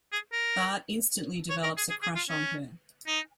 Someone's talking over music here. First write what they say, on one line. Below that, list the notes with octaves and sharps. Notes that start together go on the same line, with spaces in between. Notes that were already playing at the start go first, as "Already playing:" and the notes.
Bart instantly develops a crush on her.
G#4
A#4
C#5
A#4
G#4
G#4
G#4
F4
C#4
D#4